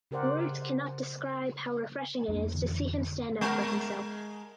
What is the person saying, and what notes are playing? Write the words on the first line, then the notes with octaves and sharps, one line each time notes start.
Words cannot describe how refreshing it is to see him stand up for himself.
C#3 G4 A#4 C5 D5 F#5
F2 A#3 D4
G1 F2 D3 E3
G#3 A#4